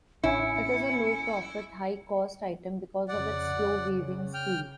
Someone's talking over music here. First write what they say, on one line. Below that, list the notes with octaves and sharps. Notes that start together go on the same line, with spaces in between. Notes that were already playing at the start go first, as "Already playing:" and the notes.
It is a low-profit, high-cost item because of its slow weaving speed.
A1 C#4 E4 G#5 C#7
F2 C#3 D5 F#5
C#3
G5 F6